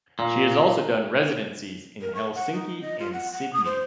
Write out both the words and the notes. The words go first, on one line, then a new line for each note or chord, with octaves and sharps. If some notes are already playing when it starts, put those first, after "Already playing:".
She has also done residencies in Helsinki and Sydney.
A#2
A#4
C#6
F#5
D#4
D#5
F4
F#5
F#5
D#6
C5